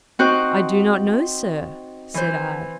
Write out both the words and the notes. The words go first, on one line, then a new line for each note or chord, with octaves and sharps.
"I do not know, sir," said I.
C4 D#4 F#4 C5 F#6
E3 C5